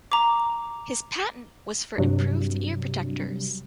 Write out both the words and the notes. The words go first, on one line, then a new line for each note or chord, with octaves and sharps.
His patent was for improved ear protectors.
A#5 D6
G2 C3 F#3